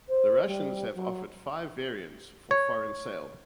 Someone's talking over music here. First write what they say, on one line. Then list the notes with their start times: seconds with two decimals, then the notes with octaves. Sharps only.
The Russians have offered five variants for foreign sale.
0.09 C5
0.46 G3
0.94 F#3
2.51 C#5